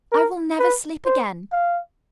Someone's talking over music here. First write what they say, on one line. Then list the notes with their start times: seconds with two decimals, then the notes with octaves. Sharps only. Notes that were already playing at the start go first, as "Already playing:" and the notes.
I will never sleep again.
0.12 A#4
0.59 B4
1.05 C5
1.52 F5